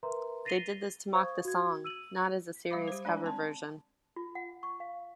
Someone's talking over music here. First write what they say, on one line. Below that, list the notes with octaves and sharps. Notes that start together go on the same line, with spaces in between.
They did this to mock the song, not as a serious cover version.
A#4 B4 E5 A#5 C6
A6 A#6 C7 D#7 F7 G7
C5 F5 C#6 D#6 G#6
F#4 G#6
E6 D#7 F#7
F#3 G3 E5 F5 B5 D6
G4 C5
G#3 D4 D5 G#5 A#5
C4 A5 C6
F4
F#5
C#6
F5